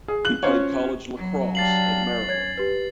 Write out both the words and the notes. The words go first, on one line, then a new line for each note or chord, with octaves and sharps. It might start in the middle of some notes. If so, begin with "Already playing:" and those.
He played college lacrosse at Maryland.
G#4
F#6 F#7
C#4 F4 C5 C#5
F#3
D4 G4 F5 A6 C7 F#7
C#4 C#5 G#6
G4 B4